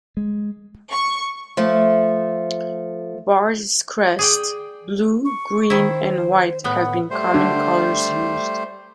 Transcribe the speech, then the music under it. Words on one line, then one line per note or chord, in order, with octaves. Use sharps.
Bar this crest, blue, green and white have been common colours used.
G#3
C#6
F3 A3
G#4 D5 G5
C#6
D#3 E4 C5
A2 B3 F#5
G3 A3 C5
D3